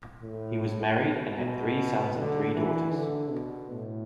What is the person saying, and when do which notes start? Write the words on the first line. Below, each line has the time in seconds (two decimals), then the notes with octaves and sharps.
He was married and had three sons and three daughters.
0.23 A2
1.00 B2
1.39 B2
2.16 D3
2.55 E3
2.93 D3
3.32 B2
3.71 A2